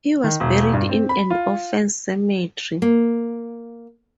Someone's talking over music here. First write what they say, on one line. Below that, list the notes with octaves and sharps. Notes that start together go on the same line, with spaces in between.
He was buried in an orphans cemetery.
D#3
E1
G2
C4
B5
F4
A#3